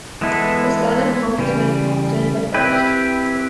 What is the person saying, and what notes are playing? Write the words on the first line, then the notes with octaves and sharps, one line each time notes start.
The son of Congressman Compton the First.
E3 G#3 B3 E4 A4
C#3 E3 G3
C4 E4 G4 B4